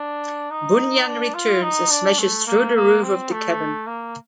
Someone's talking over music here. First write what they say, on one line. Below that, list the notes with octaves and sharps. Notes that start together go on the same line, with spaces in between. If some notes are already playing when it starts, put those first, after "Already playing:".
Bunyan returns and smashes through the roof of the cabin.
Already playing: D4
D#4
D4
F4
D#4
D4
A3
A#3
A#3
C4
A3
A#3